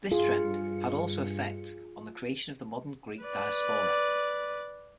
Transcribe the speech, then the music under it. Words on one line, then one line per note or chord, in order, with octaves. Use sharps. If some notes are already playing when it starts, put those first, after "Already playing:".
This trend had also effect on the creation of the modern Greek diaspora.
G2 F4 G#4 C#7
B4 D5